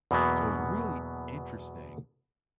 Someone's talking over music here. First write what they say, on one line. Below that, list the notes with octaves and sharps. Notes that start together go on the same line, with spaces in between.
So, it's really interesting,
E2 B2 E3 F#3 A#3 B3